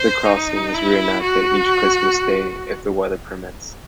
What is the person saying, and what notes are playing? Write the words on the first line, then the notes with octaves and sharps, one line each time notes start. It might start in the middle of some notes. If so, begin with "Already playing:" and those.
The crossing is re-enacted each Christmas Day if the weather permits.
Already playing: C5
D#4
E4
F#4